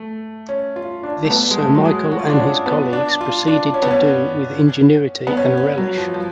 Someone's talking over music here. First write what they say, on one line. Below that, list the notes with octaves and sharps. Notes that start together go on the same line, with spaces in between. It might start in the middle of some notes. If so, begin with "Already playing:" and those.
This Sir Michael and his colleagues proceeded to do with ingenuity and relish.
Already playing: A3
C#4
F4
D4
A3
B3
G#3
A3
F#3
G#3
F#4
F4
D4
C#4
B3
D4
F4
D4
C#4
B3
C#4
B3
C#4
C#4
F#3
F3
F3